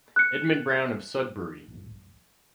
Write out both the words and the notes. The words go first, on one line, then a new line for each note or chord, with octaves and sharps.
Edmund Brown of Sudbury.
F#6 C#7